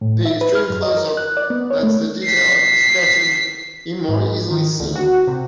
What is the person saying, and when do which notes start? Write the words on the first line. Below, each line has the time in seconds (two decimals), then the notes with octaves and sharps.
An extreme close up lets the detail of the scratching be more easily seen.
0.01 A2
0.25 E5
0.41 B4
0.55 F6
0.70 F#2
0.83 D#5
0.97 A#4
1.17 F#6
1.37 D5
1.50 B3
1.71 C#5
1.83 A3
2.24 B6 C7
4.09 G#2
4.51 D#3
4.80 D2
4.95 F#4
5.27 C3